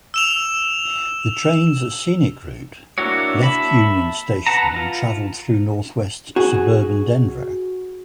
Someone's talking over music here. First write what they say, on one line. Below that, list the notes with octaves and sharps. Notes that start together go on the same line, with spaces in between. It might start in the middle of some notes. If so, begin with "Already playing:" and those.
The train's scenic route left Union Station and traveled through northwest suburban Denver.
E6 E7 F7
A#3 D4 E4 F#4 C#5
E5 A5 B5
B4 F#5 A5 A#5
F4
F#4 G#4